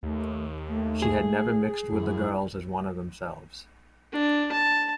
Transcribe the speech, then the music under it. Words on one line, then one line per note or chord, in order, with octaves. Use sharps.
She had never mixed with the girls as one of themselves.
D#2 A3
A3
G#4
F#2 E4
D4
A5